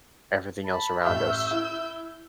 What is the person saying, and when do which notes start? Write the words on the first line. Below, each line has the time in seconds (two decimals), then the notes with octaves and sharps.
everything else around us.
0.63 A5 B5
1.04 A1 E5 E6 F6 G6
1.51 E4